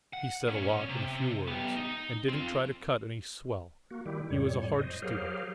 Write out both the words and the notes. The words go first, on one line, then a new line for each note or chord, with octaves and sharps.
He said a lot in a few words, and didn't try to cut any swell. He was a hard student.
F#5
A#2 C#4
C3
B3 G4
D#4
C4 F4
A#3 F#4
D#3 G3 E4 G4
F2 A2 G3 C#5
C5 D#5
F#3 G4 G#4 A#4 C5 F5